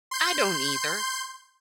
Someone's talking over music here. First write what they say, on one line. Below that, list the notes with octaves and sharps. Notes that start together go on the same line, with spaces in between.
I don't either.
C6 G6